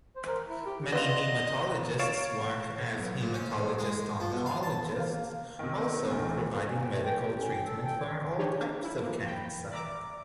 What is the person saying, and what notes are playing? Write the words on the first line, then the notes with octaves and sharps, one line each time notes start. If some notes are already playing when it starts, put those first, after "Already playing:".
Many hematologists work as hematologist-oncologists, also providing medical treatment for all types of cancer.
C5
A#4
E4
G4
B3 F4 D5 D#5 C6
C#5 F5 A6 D7 E7
B1
A#2
C#4
A2
G#3
F3
B2
F5
A5
A#3 F5
C3 D#3
D2 A2 C3 D#3 E3
D#4
C#4
G4
A3
G5
G4
C#4
G5
A4
G5
C#5
D4 D#4 G4 G#4 C#5
E4
F3 A#3
G5 B5
D5 E5 A#5 D6